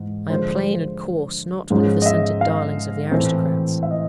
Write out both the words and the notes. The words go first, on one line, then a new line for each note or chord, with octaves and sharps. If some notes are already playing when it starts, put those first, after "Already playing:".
'I am plain and coarse, not one of the scented darlings of the aristocrats.
Already playing: G#2 E3
D3 F3 G#3 C5
G#2 F3 G#3 C#4
D#5
E5
F5
A2 E3 A3 C4
E5
D#5